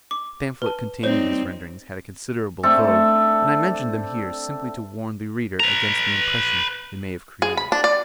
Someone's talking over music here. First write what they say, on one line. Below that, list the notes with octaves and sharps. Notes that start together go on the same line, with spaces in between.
The pamphlet containing these renderings had a considerable vogue, and I mention them here simply to warn the reader against the impression they may have created.
D6
B4 A5
G3 C4 D#4 C5 C#5
A3 C4 D4 A4
B4 A#5
G#4
B5
D4
D5